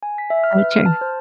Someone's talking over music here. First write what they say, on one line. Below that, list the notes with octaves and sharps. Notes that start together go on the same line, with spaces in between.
So true.
G#5
B6
E5
F6
B4
F6
A5
C5